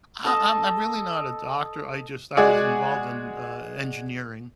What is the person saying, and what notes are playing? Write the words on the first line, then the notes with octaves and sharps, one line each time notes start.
Uh, I'm I'm really not a doctor, I just I was involved in, uh, engineering,
A4 D#5 A5
G#3 F#4 G#4 D5